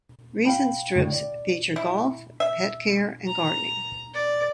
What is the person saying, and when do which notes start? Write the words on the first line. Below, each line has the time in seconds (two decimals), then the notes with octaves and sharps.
Recent strips feature golf, pet care and gardening.
0.45 F5 G5 B5
0.95 A2 D3
1.12 D5
1.76 E4
2.40 E5
3.27 A#5
4.14 D5